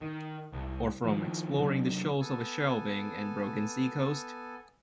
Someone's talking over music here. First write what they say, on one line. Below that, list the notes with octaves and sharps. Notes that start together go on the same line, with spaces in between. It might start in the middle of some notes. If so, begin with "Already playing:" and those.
Or from exploring the Shoals of a shelving and broken Sea Coast?
D#3
C2
D#3 F3
C3 F#3 C#4 D4
B3 A4 G#5